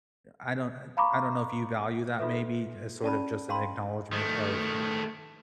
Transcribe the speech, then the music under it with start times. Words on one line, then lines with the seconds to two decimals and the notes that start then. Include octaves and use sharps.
I I don't uh, I don't know if you value that maybe as sorta just an acknowledgement of
0.97 F5 A#5 B5 C#6 D6
2.19 D#4 F4 F#4 A4 B4 E5
3.03 C#4 D5 A5 B5
3.49 A#4 F5 G5 A5 B5 C6
4.13 D#3 A3